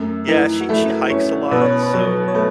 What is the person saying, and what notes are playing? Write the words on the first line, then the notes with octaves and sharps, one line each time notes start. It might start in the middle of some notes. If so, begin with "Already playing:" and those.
Yeah, she she hikes a lot, so
Already playing: F#2 A3
E3 D#4
F#4
A3 E4
C#4 C#5
B2 B4
C#5
B4
B4
F#3 C#5
C#5
A3 B4